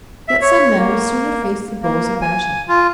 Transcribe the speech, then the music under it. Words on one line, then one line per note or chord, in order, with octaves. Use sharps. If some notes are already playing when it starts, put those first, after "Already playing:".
Yet some men would sooner face the bulls of Bashan.
E5
C#5
A#3
A#3
G#5
F4